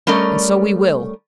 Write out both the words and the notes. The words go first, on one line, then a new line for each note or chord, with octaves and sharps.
And so we will!
G3 A3 C#4 A#4 D5 D#5